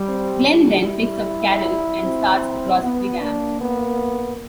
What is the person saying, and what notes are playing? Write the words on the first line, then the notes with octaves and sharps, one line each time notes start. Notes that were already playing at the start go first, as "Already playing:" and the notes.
Glenn then picks up Carol and starts across the dam.
Already playing: G3
C4
G3 D4
E4
C4
B3
A#3 D4
B3